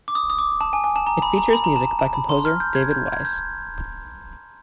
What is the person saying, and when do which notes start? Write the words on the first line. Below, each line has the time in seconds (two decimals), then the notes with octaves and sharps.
It features music by composer David Wise.
0.08 D6
0.15 D#6
0.30 D#6
0.39 D6
0.61 A5
0.73 G#5
0.84 G#5
0.96 A5
1.07 A#5
1.22 B5
1.38 A#5
1.53 B5
1.64 A#5
1.76 A5
1.99 A5
2.14 B5
2.29 C6
2.45 F6
2.60 G6
2.75 G#6
2.91 G6
3.13 G#6
3.25 G6